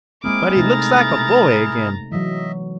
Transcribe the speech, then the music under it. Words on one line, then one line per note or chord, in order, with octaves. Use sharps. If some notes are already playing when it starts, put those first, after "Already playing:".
But he looks like a boy again!
G#3 A#3 C4 E4 G#4 A#4 D6
C3 A3 D#4 A#5 A6
E3 F#3 D#5 E5